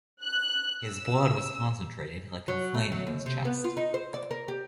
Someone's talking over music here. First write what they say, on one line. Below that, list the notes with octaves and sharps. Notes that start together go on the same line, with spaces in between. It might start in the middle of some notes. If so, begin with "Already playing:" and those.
His blood was concentrated like a flame in his chest.
F#6
E6
F#3
A3
F#3
D#2
C3
B3
F4
D#4
C5
D5
A#4
G4